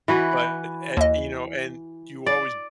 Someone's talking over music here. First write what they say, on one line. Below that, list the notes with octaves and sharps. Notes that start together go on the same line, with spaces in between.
but at you know, and you always,
E3 F#4 B4
D#2 D#5
D5